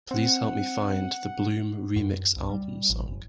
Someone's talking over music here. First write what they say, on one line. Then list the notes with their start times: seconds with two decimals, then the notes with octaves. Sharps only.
Please help me find the Bloom: Remix Album song.
0.11 C4 F#5
1.96 F#2
2.36 C2
2.49 G3
2.90 A1
3.07 F#1